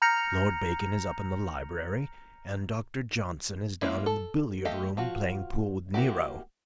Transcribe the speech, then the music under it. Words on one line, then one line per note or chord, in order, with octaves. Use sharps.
"Lord Bacon is up in the library, and Doctor Johnson is down in the billiard-room, playing pool with Nero."
A#5 F6 G6 A#6 C#7 F7
G#3 A#3 C#4 E4
A4
A3 G4 A4 D#5 F5
F3 F4 F#4
A#3 E4 F#4 G4